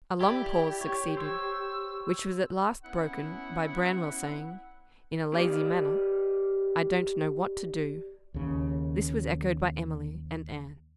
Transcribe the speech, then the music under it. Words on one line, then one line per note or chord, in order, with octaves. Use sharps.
A long pause succeeded, which was at last broken by Branwell saying, in a lazy manner, 'I don't know what to do.' This was echoed by Emily and Anne.
E4 G4 D5
C#5
C5 C#5 E6
B3 C#4 E4 F#5
G4 B4 D5 D#5 F5
D#2 C#3